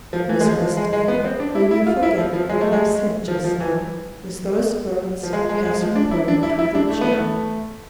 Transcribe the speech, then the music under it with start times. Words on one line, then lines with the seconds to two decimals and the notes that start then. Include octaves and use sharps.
"Miss Westerfield, will you forget what I said just now?" With those words, Catherine pointed to the chair.
0.13 F3
0.29 E3
0.41 G#3
0.45 F3
0.60 F3
0.77 G#3
0.93 G#3
1.08 B3
1.24 C4
1.40 D4
1.55 E4
1.71 E4
1.87 F4
2.03 E4
2.18 F3
2.33 F3
2.49 G#3
2.61 A3
2.72 G#3
3.28 F3
3.44 F3
3.60 E3
5.23 F3
5.33 G#3
5.49 G#3
5.65 G#3
5.80 F3
5.96 D4
6.11 E4
6.28 D4
6.43 E4
6.59 E4
6.75 D4
6.90 A3
7.01 B3
7.11 A3